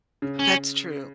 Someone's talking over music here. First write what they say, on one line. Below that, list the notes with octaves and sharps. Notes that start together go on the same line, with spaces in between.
That's true.
C#3
C#4